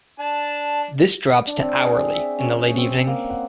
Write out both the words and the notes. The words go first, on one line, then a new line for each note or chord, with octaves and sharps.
This drops to hourly in the late evening.
D4 A5
D4
C4
G#4
E5
C#4
C4
A#3
F#5